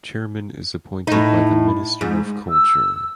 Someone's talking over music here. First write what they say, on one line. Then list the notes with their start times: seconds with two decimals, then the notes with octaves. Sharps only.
Chairman is appointed by the Minister of Culture.
1.07 A2 D#4
2.01 G#2
2.49 E6